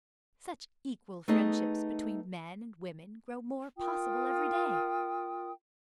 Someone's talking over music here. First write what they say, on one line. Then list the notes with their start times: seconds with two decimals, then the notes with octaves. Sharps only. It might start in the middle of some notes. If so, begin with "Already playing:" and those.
Such equal friendships between men and women grow more possible every day.
1.28 A3 B3 D#4 G#4 D#5
3.79 F4 A#4 G5 D#6